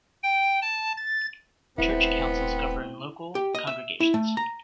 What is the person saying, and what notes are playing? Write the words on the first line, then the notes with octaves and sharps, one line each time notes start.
Church councils govern local congregations.
G5
A5
A6
D#1 E3 A3 B3 C4 E4
G4
D#5
E5
E4
A3
A#5